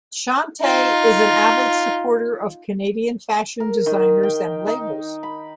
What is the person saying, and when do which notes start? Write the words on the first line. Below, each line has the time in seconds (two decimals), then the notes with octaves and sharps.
Chante is an avid supporter of Canadian Fashion Designers and labels.
0.61 D#4 F4
3.60 A#4
3.86 D#3
4.23 G5
4.67 D#4
5.23 B5